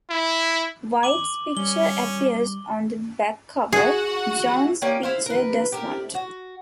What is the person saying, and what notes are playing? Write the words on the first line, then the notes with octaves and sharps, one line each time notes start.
White's picture appears on the back cover; Jones' picture does not.
E4
D6 D#7 F#7
G3 C#4 G7
F#4 G#4 F#5
A#3 C#4 G4 D5
E4 C5 F5
A#4 B4
G4 A#4
F#4